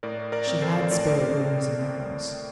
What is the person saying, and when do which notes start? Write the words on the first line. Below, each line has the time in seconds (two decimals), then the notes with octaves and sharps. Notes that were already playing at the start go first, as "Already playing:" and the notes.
She had spare rooms in her house.
0.03 A2 A#4 D5
0.32 A#4 D5
0.47 C4
0.62 A4 C5
0.91 A2 A#4 D5
1.08 D5